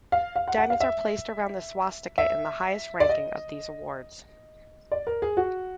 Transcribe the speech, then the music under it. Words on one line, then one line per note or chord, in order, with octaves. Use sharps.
Diamonds are placed around the swastika in the highest ranking of these awards.
F5
F5
F#5
F#5
F5
E5
E5
D5
D#5
D5
A#4
G#4
F#4